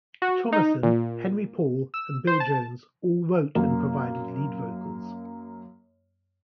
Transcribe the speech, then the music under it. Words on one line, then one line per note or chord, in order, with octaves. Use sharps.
Thomasson, Henry Paul, and Bill Jones, all wrote and provided lead vocals.
F#4
D#4
A#2
E6
C5
A5
F#2 A#3